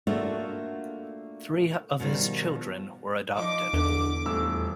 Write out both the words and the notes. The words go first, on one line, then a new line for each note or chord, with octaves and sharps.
Three of his children were adopted.
A3 A#3 D4 F4 F#4 E5
B2 D#3 F3 G3
F3 D#4 D6
E2 D3
D#1 A2 E6